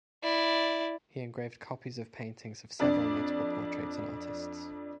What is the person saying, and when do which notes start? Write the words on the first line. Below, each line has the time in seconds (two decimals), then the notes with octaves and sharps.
He engraved copies of paintings of several notable portraits and artists.
0.23 E4 D5
2.80 F2 D4 D5